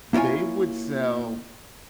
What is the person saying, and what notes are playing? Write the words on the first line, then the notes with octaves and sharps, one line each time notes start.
they would sell
A#3 E4 F4 C#5 G#5